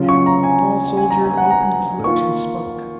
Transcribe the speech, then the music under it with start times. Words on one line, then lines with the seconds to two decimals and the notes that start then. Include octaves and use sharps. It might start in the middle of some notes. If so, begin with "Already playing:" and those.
The tall soldier opened his lips and spoke.
Already playing: C#3 F#3 C#4 F4
0.09 C#6
0.26 A#5
0.43 G#5
0.97 G#5
1.10 A#5
1.24 G#5
1.37 F#5
1.51 A#5
2.04 D#3 A#3 F4 C#6